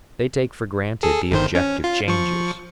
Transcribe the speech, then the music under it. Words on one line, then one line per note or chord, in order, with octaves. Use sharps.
They take for granted the objective changes.
G#4 A4
G1 D#3 C5
C#4
F4
F3 C#6